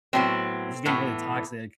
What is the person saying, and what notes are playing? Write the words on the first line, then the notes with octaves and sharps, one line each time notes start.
just getting really toxic,
A2 F#3 B3 C4
A2 E3 B3